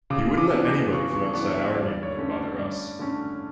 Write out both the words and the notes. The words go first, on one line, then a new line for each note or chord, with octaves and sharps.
He wouldn't let anybody from outside our neighborhood bother us.
C#3 D6
D6
E3 B3 D4
D6
C#3 C#6
C#6
E3 B3 D4 C#6
E5
G2 D5
C#5
D3 A3 C#4
D5
G2 D5
D3 A3 C#4